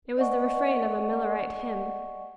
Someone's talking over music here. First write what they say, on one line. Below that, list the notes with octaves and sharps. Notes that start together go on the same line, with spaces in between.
It was the refrain of a Millerite hymn.
D5 D#5 F#5 G#5 C#6